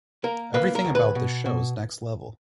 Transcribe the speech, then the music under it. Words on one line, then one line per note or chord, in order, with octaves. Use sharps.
Everything about this show is next level.
A#3 A#4
A#3 B4
A#4
D2
B4
B2
B2